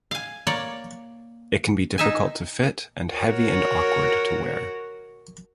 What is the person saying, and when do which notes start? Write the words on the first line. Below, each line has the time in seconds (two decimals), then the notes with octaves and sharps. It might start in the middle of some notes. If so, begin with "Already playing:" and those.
It can be difficult to fit and heavy and awkward to wear.
0.11 F5 G#5
0.47 A#3 C#5 D5
1.98 D#4 E5 G#5
3.13 F#4 A#4 C#5